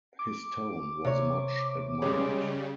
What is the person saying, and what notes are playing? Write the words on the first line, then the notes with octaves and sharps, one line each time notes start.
His tone was much admired.
D6
C3 C#5
C#3 G3 G#3 C#4